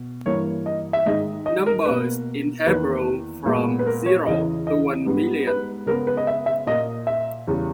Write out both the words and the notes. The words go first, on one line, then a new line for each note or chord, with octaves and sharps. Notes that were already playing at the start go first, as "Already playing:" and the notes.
Numbers in Hebrew from zero to one million.
Already playing: B2
G2 E3 A#3 C#5
D#5
E5
G#2 D#3 G#3 D#5
D#5
A#4
B2 A#3 B4
E2 D#3 A#3 B4
A#2 G#3 B3
B4
A#4
C#5
E2 C#3 E3 D#5
D#5
G#2 G3 B3
B4
C#3 G#3 B3 A#4
B4
D#5
E5
E5
A#2 A#3 D#5
E5
E2 C#3 G3